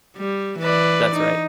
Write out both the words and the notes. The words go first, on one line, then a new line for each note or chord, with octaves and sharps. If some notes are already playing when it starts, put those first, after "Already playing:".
That's right.
G3
E3 B4 D5
D#4